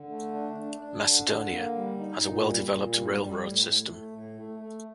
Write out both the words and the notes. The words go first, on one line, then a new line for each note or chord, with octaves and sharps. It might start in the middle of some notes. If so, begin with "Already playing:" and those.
Macedonia has a well-developed railroad system.
Already playing: D3
A3
D4
D4
D4
D3
D3
A#3
G3
D#4
A#2
G3
A#2
G3
G3
A2
A2
A3
A2
A3
A3